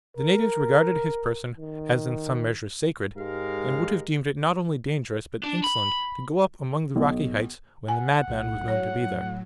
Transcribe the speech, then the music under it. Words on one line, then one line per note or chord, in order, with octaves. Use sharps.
The natives regarded his person as in some measure sacred, and would have deemed it not only dangerous but insolent to go up among the rocky heights when the madman was known to be there.
A#4
D#3
G#2 G#3 G4 A#4 F5
D4
B5
B1
F#5 G#5
B1 A2
A2 F#3 C#5